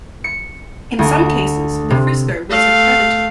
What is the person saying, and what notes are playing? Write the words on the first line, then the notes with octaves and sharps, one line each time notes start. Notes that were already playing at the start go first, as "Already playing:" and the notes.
In some cases the Frisco was a creditor.
C#7
D2
C3
A3 F5